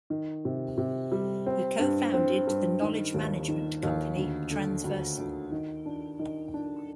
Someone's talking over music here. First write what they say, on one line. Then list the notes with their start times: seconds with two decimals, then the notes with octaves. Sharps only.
He cofounded the knowledge management company Transversal.
0.10 D#3
0.45 C3
0.78 C3
1.12 G3
1.46 C4
1.79 G2
2.14 C4
2.47 G2
2.82 D#3
3.14 D#2
3.48 D#3
3.83 D#2
4.16 D2
4.51 D3
4.84 D2
5.18 D2
5.52 D#3
5.86 D4
6.19 D#3
6.54 D4